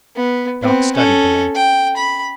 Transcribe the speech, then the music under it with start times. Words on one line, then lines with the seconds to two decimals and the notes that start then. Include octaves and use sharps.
Doc studied the man.
0.16 B3
0.62 B3 C4
0.95 C#4 A4
1.55 G5
1.97 B5